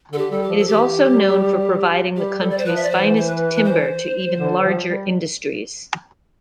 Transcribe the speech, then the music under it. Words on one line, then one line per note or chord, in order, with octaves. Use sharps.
It is also known for providing the country's finest timber to even larger industries.
D3 A4
G4
G3 A4
G4
F3
A4
E3 G4
G3
G3 G4
G3 A4
D5
C5
F3 B4
E5
D5
E3 C5
C5
B4
B4
C5
D3
F3
G3